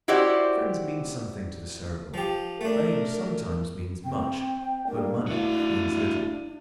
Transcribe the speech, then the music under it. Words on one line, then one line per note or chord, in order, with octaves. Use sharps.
Friends mean something to the Cerebral, fame sometimes means much but money means little.
E4 F#4 G4 C5 D5
F3 G4
A3 D4 A#4
C4 G5
G2 A#3 D4
A3 E4 F#4 F5